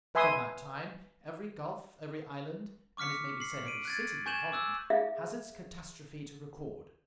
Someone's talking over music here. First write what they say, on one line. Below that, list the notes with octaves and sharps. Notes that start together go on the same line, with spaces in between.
From that time every gulf, every island, and it may be said every city, in Holland has its catastrophe to record.
B4 E5 G#5 C6 D#6
C#6 D6 F6 B6 C#7
C7 F#7
D7 D#7
F#6 G#6 A6
G#5 C#6 G6 G#6 E7 F#7
D6 E6 F#6
G#4 E5 F5